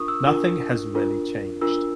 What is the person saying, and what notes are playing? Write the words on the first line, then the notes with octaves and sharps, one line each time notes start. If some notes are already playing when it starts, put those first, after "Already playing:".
Nothing has really changed.
Already playing: D4 F4 A#4 C#6 D#6
E6
D4 F4 A#4
D4 F4 A#4
D4 F4 A#4 E6